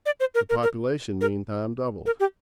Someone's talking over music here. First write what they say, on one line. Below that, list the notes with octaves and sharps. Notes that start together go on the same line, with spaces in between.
The population meantime doubled.
D5
C5
A#4
A#4
A#4
A#4
A#4
G4